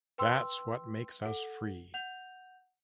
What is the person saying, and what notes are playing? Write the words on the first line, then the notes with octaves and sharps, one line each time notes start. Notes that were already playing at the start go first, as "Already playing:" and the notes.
That’s what makes us free.
B4 G5 C6 E6
A4 F#5
F#5 G6 F7